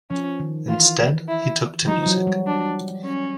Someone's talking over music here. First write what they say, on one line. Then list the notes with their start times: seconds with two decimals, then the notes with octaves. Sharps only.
Instead, he took to music.
0.11 F3 C#4
0.40 D#3
0.69 E3 F4
1.28 E4
1.83 E3
1.88 F3 D#4
2.06 F#3
2.27 G3
2.47 D4
3.05 C#4